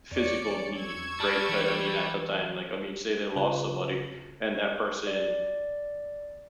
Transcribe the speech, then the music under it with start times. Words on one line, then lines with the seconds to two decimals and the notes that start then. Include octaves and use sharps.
physical need, right? I I mean, at the time, like, I mean, say they lost somebody and that person,
0.12 E2 C#5 D5 C#7
0.77 C#6 E6 G#6
1.20 G3 A5 F6
1.49 E3
3.36 C#3 F4 B4
5.07 D5